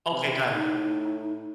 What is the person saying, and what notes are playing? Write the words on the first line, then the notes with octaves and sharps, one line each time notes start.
Okay, got it.
C3
A2 D#4